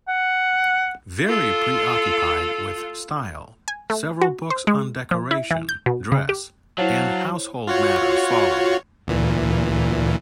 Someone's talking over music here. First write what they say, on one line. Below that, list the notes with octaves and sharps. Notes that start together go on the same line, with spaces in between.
Very preoccupied with style, several books on decoration, dress, and household matters followed.
F#5
F4 A4
G#5
A3
F#4
C5
G#3
F3
E4
E3
G6
B2
C#3
G4
F#3 E4 C5 C#5 F5 F#5 A5
F4 F#4 C#5
D2 A#2 E3